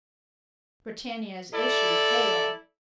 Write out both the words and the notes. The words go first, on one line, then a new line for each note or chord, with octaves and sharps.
Britannia's issue, hail!
E4 A4 D5